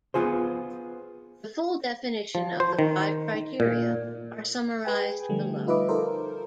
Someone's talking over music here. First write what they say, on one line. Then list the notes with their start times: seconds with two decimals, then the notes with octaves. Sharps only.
The full definition of the five criteria are summarised below.
0.14 B3 F4 G#4 C5
2.35 F3
2.60 C5
2.79 D#3
3.60 A#2
4.85 G#4 B4 G5 G#5
5.29 D3 F3 G3 A3
5.67 D#4 F4 B4 D#5 E5 D6
5.88 D#4 F4 A4 A#4 C5